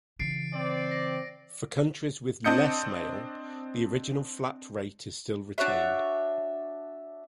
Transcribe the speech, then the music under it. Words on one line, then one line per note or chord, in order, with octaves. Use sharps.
For countries with less mail, the original flat rate is still retained.
C#3 E3 A6 C7 D7
C4 D5
A#6
C4 D4 D#5 G6 C#7
D4 F#4 C#5 E5